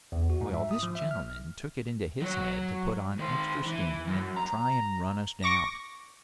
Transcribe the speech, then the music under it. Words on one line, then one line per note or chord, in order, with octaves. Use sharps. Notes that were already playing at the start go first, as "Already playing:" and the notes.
Well, this gentleman took it into his head to put on extra steam and try and run us down.
E2
F#4
G#2
E5
D#6
F3
E5
F6
F#3 C#5
D#3 C5
E3
F#2
A#5
C#6 D6 A#6